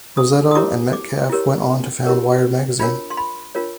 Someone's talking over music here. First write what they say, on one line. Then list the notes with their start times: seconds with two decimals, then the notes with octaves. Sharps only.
Rossetto and Metcalfe went on to found "Wired" magazine.
0.17 D#6
0.51 D#6
0.55 E4 G4 A#4 C#5 D6
0.93 D6
1.30 E4 G4 A#4 C#5
2.04 E4 G4 A#4 C#5
2.80 D4 F4 A#4 C#5 B5
3.10 C6
3.17 B5
3.55 D4 F4 A#4 C#5